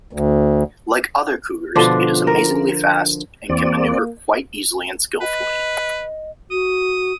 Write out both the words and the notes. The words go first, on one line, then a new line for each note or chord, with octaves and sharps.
Like other cougars, it is amazingly fast, and can maneuver quite easily and skillfully.
D2
B2 D3 F3 D4
A#4
E2 A#3 C4 D5
B4 D#5
F#4 D#6